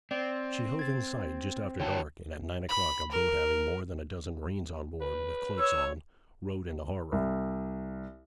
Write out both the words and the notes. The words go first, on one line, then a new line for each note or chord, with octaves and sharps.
'She hove in sight just after dark, and at nine o'clock a boat having more than a dozen marines on board, with cloaks on, rowed into harbour.'
C4 D5
G#6 A6
D3 E4 F#4 C#5 G5 A5
B5
A#4
B4
C#5 E6
C2